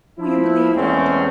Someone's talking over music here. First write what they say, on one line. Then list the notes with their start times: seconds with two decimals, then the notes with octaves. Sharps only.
Will you believe that?
0.19 F3 E4
0.75 E2 G#3 A3 C4 C#4